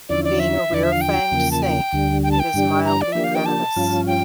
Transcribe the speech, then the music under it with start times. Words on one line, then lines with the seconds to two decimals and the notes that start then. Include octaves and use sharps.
Being a rear-fanged snake, it is mildly venomous.
0.09 E2 D3 F3 C#4 E4 D5
0.24 D5
0.39 E5
0.70 E2 D3 F3 D5
0.83 E5
0.92 F5
1.01 G5
1.32 E2 C#3 F3 A#3
1.51 A5
1.62 G5
1.93 D2 D3 G3
2.23 G5
2.31 A5
2.39 G5
2.54 G2 D3 G3 D4 G4
2.85 A#5
3.01 D5
3.12 F3 A#3 D4 G4 E5
3.24 F5
3.35 G5
3.46 A5
3.76 G2 F3 C#4 F4
4.07 G5